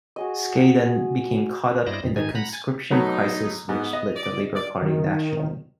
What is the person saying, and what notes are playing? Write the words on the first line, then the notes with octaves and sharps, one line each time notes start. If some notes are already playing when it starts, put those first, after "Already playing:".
Scaddan became caught up in the conscription crisis which split the Labor Party nationally.
F#4 G#4 D#5
G2 E4 C5 D5 D#5 A#6
F2 D#3
G#2 D#3 D#4 G#5
F#5 A#5 B5
G#5 A6
F#3 A3 B3 D#4
G#2 B3
D#5
D5
D5
D#3